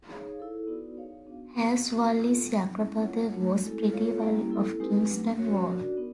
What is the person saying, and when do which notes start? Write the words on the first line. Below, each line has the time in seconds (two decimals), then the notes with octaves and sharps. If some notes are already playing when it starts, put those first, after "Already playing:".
Hasse Walli's younger brother was Petri Walli of Kingston Wall.
0.09 D#4 G#4 C#5 F5
0.38 E4 A4 C5
0.67 B3 D#4 F#4 B4 D5
0.97 D#4 G#4 C#5 F5
1.27 B3 D4 F#4
1.55 C4 D#4 G4 C5
1.85 A3 C#4 F#4
2.14 D4 F4 A4 C5 F5
2.44 G3 C4 D#4
2.73 F#3 A#3 C#4 E4
3.02 F4 A#4 C#5 F#5
3.32 A3 D4 F#4 A#4 C#5
3.61 G#3 C4 E4 A4
3.91 F4 A4 C#5 F5
4.21 G3 A#3 C#4 E4 G4
4.50 C4 E4 A4
4.80 G#3 C4 D#4 G4 B4
5.09 F#3 A3 D4
5.38 C#4 F#4 A#4 C#5
5.68 D4 F#4 A#4 D5
5.97 B3 D#4